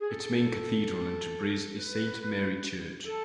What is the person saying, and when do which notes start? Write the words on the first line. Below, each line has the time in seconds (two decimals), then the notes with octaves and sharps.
Its main cathedral in Tabriz is Saint Mary Church.
0.01 G#4
0.08 A4
1.79 B4
3.06 A4